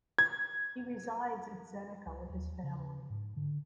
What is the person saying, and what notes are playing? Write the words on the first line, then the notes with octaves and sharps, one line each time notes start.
He resides in Zenica with his family.
G#6
C#2
D#2
C#3
G#2
D3